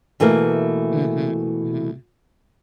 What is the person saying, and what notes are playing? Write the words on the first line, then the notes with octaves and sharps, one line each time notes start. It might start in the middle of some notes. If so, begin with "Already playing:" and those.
Mhm, mhm.
B2 E3 A3 A#3 A#4